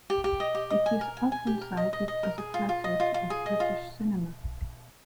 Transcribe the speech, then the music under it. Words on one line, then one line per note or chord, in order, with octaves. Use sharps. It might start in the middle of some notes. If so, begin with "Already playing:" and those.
It is often cited as a classic of British cinema.
G4
G4
D#5
G4
D#5
G#5
A#4
G#5
G#5
G4
A#4
D#5
D#5
D#5
A#4
G#4
F4
F4
D#5
F4
F4
G#4
D#5
F4